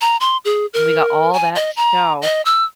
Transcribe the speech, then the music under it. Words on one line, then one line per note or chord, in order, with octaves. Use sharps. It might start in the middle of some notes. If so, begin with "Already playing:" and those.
We got all that snow
A#5
C6
G#4
A#4
G#5
D#5
A#5
D#5
E6